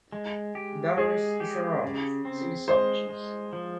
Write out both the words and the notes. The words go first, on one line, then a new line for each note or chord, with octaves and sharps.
Durrus is a round, semi-soft cheese.
G#3
G4
G#3 G#4
G4
C#3
C4
G#3 C5
G#3
F3